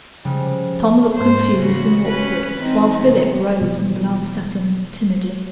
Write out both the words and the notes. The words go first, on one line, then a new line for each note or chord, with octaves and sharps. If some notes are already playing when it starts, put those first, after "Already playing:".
Tom looked confused and awkward, while Philip rose and glanced at him timidly.
C#3 F3 G3 G#3
G#2 C5
C#3 E3 F#4
C#4 B4
E3 C4 D#4
C3 B3
B2 E3